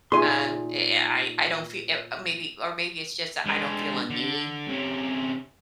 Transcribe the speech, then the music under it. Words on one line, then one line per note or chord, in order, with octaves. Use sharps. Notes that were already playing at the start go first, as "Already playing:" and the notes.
And eh, I I don't fee uh, maybe, or maybe it's just that I don't feel a need
A#2 D#4 G4 G#4 E5 G#5 C6
G#3 D4
D3
C3 C#4